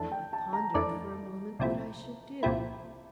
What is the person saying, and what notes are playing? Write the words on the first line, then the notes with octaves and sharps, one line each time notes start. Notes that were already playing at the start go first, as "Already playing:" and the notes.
I pondered for a moment what I should do!
Already playing: F2 E3 A3 D4 A5
G5
A5
A#5
F2 E3 A3 D4 D6
C2 A#2 F3 C4 E4
C2 A#2 F3 C4 E4